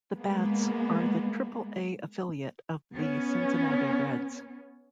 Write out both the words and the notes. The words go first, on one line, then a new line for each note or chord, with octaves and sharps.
The Bats are the Triple-A affiliate of the Cincinnati Reds.
G#3 A#3 B3
B3 C#4